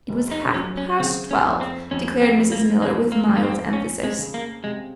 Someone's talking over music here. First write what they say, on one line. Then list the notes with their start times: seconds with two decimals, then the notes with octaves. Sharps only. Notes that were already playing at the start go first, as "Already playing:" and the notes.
"It was half-past twelve," declared Mrs. Miller with mild emphasis.
0.09 F1
0.31 D#4
0.54 F#3 C#4
0.77 C#4
1.00 C#3 C4
1.31 C#4
1.45 F2
1.61 C4
1.91 F2 C#4
2.22 C4
2.37 F2
2.52 A#3
2.82 F2 G#3
3.12 A#3
3.27 F2
3.37 A#3
3.43 C4
3.73 F2 C#4
4.04 G#3
4.18 C#3
4.34 A#3
4.64 C3 G#3